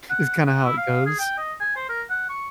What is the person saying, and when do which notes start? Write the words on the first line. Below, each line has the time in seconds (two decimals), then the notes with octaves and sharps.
is kinda how it goes
0.10 F#5
0.47 F#5
0.64 E4
0.77 F5
1.06 G#4
1.19 G5
1.38 D#5
1.60 G#5
1.76 C5
1.89 A#4
2.10 F#5
2.29 C#6